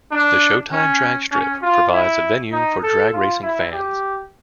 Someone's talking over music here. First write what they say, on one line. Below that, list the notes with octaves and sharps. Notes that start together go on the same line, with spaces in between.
The Showtime Dragstrip provides a venue for drag racing fans.
D4
C#4
C#4
F4
E4
D#4
A4
F4
E4
G4